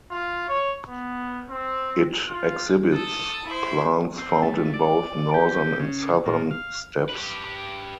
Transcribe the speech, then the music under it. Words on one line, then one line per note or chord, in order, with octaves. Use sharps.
It exhibits plants found in both northern and southern steppes.
F4
C#5
B3
C4
F4
A4 D#6
E4 C5
C4
A3
D5
G4
C#3
A#2
F5
G4 B4